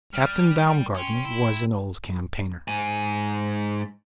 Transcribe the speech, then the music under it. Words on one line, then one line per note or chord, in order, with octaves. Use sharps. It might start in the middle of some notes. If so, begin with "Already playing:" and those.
Captain Baumgarten was an old campaigner.
G3 F6 F7
C#4 G5 C6
E4
G#2 G#5